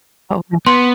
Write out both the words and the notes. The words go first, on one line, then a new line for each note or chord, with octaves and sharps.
Oh, really?
B3 C6